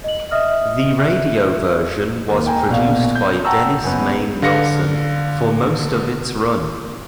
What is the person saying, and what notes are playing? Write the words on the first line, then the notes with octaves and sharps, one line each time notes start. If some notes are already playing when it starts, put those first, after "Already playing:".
The radio version was produced by Dennis Main Wilson for most of its run.
D#5 F#7
D#5 E5 D#6 F6
E5 F#6
D#2
G5 G#5 A#5
A#1 B2 F5
G6
F#5 G5 A5 A#5 C#6 E6
F#2 B3
D3 F5 A#6 C#7